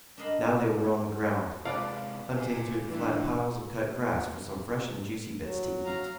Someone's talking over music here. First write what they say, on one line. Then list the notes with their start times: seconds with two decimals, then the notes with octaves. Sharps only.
Now they were on the ground, hunting through the flat piles of cut grass for some fresh and juicy bits to eat.
0.17 D4 A#4 D#5 F5 B5
1.65 C3 G#3 B4 D5 F5
2.36 F4 G#5
2.88 G#2 E3 D4
5.38 F#3
5.84 F5 A#5